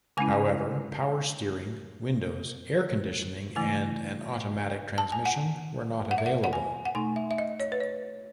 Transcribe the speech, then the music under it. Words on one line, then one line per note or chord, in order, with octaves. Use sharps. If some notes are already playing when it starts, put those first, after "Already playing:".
However, power steering, windows, air conditioning, and an automatic transmission were not available.
C#3 G#3 C#4 E4 G#5
C#3 E3 A3 E4 G#5
A5
G#5
F#5
F#5
E5
F#5
F#5
G#5
F#5
B2 A3 D#4 G#5
E5
E5
D#5
C#5
B4
C#5